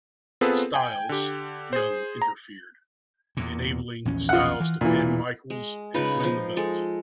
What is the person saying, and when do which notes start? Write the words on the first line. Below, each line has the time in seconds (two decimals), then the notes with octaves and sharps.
Styles, Young interfered, enabling Styles to pin Michaels and win the belt.
0.41 B3 C4 F4 G#4 A4 B4
0.74 G5 G#5
1.09 D3 G4
1.73 G#4 C5
2.22 A#5
3.37 E2 A#2
4.05 A#1 E2 C#4
4.29 F4 F#5
4.60 E3
4.81 E1 A#2 E3
5.50 G#3
5.94 C#3 D#4 F4 B4
6.20 F3 D#4
6.57 G#3 A4